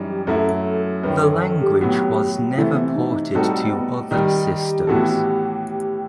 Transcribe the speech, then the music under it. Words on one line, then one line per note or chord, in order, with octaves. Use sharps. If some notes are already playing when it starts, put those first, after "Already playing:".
The language was never ported to other systems.
Already playing: F#2 E3 G3 D#4
G4
F#2 F#3 A3 E4 A4
F#2 D#3 F#3 B4
A4
A4
G4
A2 F#3 B3
C3 E3 A3 E4
B3
C4
D#4
A2 G3 C4 D#4 F#4 A4
C4
B3
D#3 G3 D#4 G4
A2 E3 B3 F#4 A4